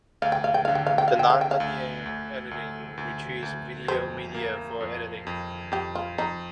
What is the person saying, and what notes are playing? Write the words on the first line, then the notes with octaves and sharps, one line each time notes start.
The non-linear editing retrieves video media for editing.
D2 F5
G5
F5
G5
D3 F5
G5
F5
G5
F5
D3
G5
F5
G5
F5
D2
D2
D2
D2
D2
F2 C5
A#3
F2
F2
F2 G4
F4
F2 D#4